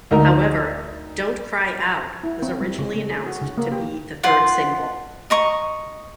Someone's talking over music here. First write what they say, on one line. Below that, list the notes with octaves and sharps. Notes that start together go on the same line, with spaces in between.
However, "Don't Cry Out" was originally announced to be the third single.
D2 D#4 A#4 A#5
E4
C4
G3
C#3
A3
G#4
F#4
C#3
A#3
G4
F4 F#5 C6
D#5 A#5 C#6